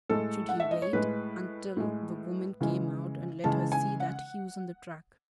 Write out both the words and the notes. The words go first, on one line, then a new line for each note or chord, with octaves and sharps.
Should he wait until the woman came out and let her see that he was on the track?
A2 G#3 A4
F#5
E5
D#5
C#5
A2 G#3 B4
A2 G#3
C#3 E3 G#3
C#3 E3 G#3 A5
G#5
F#5